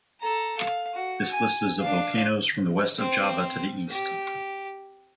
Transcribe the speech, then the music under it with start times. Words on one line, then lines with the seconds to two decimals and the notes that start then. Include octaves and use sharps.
This list is of volcanoes from the west of Java to the east.
0.21 A4 A#5
0.59 F5
0.94 F#4
1.29 G#5
1.80 D4 F5
2.99 C4 C5
3.92 G4